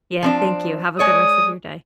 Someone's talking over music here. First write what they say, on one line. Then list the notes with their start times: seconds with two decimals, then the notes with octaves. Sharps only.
Yeah, thank you, have a good rest of your day.
0.23 F3 C4 D4
0.99 G#3 C#5 D5 D#6